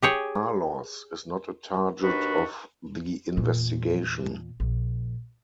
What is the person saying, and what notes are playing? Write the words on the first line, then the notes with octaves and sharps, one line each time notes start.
Carlos is not a target of the investigation.
G4 G#4 C#5
D#2 D4 D#4 F#4 B4
E2 A#2
A#1